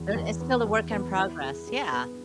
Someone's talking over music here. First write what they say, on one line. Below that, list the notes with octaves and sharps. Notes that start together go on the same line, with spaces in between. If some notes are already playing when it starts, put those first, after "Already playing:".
But it's still a work in progress, yeah,
Already playing: E2 B3
E2
B3
E2
B3
E4
G#4
G#4
B3